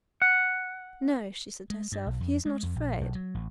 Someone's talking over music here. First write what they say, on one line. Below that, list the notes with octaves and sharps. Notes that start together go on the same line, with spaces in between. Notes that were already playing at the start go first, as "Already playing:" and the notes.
"No," she said to herself, "he is not afraid."
F#5
G#3
G2
B1
F2
G#3
F2
A#1
B1
F#3
A1